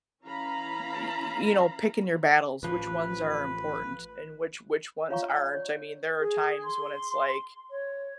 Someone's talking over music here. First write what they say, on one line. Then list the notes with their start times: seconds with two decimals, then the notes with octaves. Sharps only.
y y you know, picking your battles, which ones are important and which which ones aren't, I mean, there are times when it's like
0.23 E3 C#4 E4 F5 A#5 B5
2.63 A1 F3 B4
5.09 D4 F4 C#5 F5 A#5 C#6
5.37 D5
5.54 C#5
6.20 G#4
6.64 C6
7.71 C#5